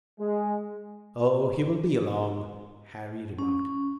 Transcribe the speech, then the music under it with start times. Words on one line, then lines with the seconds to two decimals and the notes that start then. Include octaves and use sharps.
"Oh, he will be along," Harry remarked.
0.20 G#3
3.39 C#4